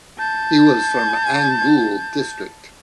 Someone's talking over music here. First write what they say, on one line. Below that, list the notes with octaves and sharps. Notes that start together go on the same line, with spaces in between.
He was from Angul district.
A5 G6